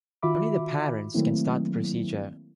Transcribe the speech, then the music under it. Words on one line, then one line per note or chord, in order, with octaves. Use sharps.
Only the parents can start the procedure.
D#3 F4 F#4 E5 B5 D6
D#3 F#3 A3 A#3 C4 E4